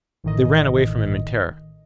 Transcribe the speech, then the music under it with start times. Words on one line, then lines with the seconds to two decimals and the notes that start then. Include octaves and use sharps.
They ran away from him in terror.
0.24 A1 A2 D#3 D#5